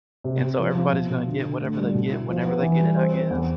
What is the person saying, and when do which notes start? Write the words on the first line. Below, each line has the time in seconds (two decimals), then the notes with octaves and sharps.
And so everybody's gonna get whatever they get whenever they get it, I guess.
0.24 C3
0.42 C3
0.58 F3
0.75 F3
0.92 B2
1.09 B2
1.26 D3
1.43 D3
1.61 A2
1.78 G3
1.94 B2
2.12 E4
2.29 F3
2.45 B3
2.62 E3
2.80 G3
2.97 C4
3.13 C4
3.30 E2